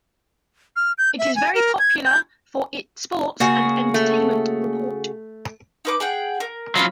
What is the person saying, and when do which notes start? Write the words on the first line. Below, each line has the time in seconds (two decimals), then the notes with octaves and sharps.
It is very popular for its sports and entertainment report.
0.76 F6
0.98 G6
1.19 E5
1.36 G#5
1.55 A#4
1.79 G#6
2.05 G6
3.40 C#3 A#3 F#4 G#4
3.94 A3
5.85 D#4 B4 D6
6.00 G#4 F#5 G5
6.40 A#4
6.76 F#3 C#4 E4 F4 B5